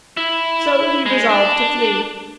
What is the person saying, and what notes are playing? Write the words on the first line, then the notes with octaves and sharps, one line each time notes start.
So he resolved to flee.
E4
G#3
D4